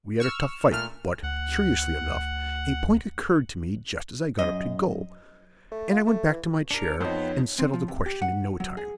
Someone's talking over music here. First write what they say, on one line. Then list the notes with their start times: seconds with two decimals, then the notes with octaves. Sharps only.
We had a tough fight; but, curiously enough, a point occurred to me just as I got up to go; and I went back to my chair, and settled the question in no time.
0.20 C#6 E6 F6
0.71 A#2 A3 F6
1.23 D2 F#5
4.39 F#2 D#5
5.72 A3
5.92 F4
6.06 A3
6.29 E3
6.71 D4 A#4 C#7
7.01 F2 B3 C4 D#4 C5 C#5
7.59 C4
7.74 F3
7.88 C3
8.06 G4
8.22 F#5
8.60 F#3
8.77 G#4